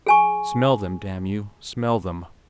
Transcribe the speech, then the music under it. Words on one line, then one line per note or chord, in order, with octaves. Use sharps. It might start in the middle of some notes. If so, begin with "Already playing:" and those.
Smell them, damn you, smell them.
G#4 G#5 C#6